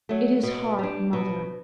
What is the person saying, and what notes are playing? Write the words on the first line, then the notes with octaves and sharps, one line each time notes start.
It is hard, mother.'
F#3 A3
B2
G3 D4
B2